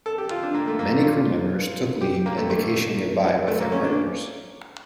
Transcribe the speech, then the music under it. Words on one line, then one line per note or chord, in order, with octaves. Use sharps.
Many crewmembers took leave and vacationed nearby with their partners.
A4
G4
F4
D4
A#3
A3
A#3
A3
F4
G4
A#3
A3
A3
A3
A#3
C#4
D4